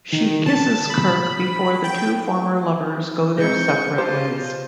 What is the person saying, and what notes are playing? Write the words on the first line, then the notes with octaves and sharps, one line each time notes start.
She kisses Kirk before the two former lovers go their separate ways.
D#3
A5
B5
G5
G#3 C4 D#4 C#6 G6
F4 G4 C5 D#5 F5 A5